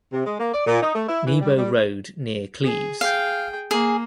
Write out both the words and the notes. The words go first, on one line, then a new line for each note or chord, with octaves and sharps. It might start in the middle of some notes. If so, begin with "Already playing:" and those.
Nebo Road near Cleves.
C3
G#3
A#3
D5
A#2
D#4
A3
E4
E3
G3
G3
G#4
G#4 F5 G5
A#3 G#4